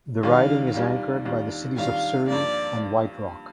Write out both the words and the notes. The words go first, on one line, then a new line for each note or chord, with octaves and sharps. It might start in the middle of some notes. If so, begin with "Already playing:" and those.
The riding is anchored by the cities of Surrey and White Rock.
D#2 D#3 G3 D4 F4 F5
D#2 D#3 G3 D4 F4
D#2 D#3 G3 D4 F4
D#2 D#3 G3 D4 F4 F5
G2 F3 A#3 D5